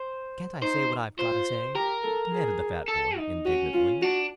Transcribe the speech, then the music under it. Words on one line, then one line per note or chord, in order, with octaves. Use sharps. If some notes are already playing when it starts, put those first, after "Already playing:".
"Can't I say what I've got to say?" demanded the fat boy indignantly.
Already playing: C5
D#4 C5
F4 C5
G4 A#4
A4
G#4
A4
D#4
C#4 F#4
F4
D4 F#4